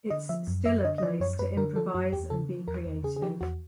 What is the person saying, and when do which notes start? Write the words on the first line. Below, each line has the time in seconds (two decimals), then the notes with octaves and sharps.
It's still a place to improvise and be creative.
0.10 D3 D#5
0.29 F3 E5
0.47 F#2
0.65 F#2 E5
0.84 D3 D#5
0.98 D#5
1.02 F3 D5
1.20 F#2 C#5
1.39 F#2 B4
1.57 D3 A#4
1.75 F3 A4
1.94 F#2 F#4
2.13 E2 G4
2.30 C#3 A4
2.49 F3
2.68 E2 A#4
2.86 E2
3.04 C#3 G#4
3.16 G#4
3.22 F3 G4
3.41 E2 F#4